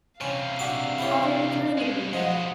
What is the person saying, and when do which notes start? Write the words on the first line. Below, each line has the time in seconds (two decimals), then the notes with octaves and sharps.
How very kind of you!
0.21 C3 E3 C#4 F5
0.59 D4 F#4 D6
0.98 E4 G4 C#5
1.78 B2 G#3
2.13 F3 D#5 F#5